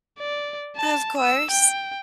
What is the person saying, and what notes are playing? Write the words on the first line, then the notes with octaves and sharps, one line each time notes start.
Of course.
D5
A5
E6
G5